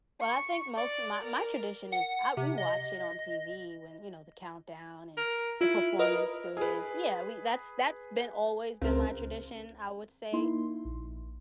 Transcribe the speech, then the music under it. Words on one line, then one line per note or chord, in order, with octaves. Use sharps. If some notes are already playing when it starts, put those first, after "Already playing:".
Well, I think most of my my tradition is, I we watch it on TV when, you know, the countdown and the performances, yeah, we that's that's been, always been my tradition, I would say,
C#6
D5
A#4
F#5
C3
D#5
A#4
E4 F4
A#4 B4 D#5
G#4 B4
C#2 C4 A#4
A#3 D#4 E4 C6
A#1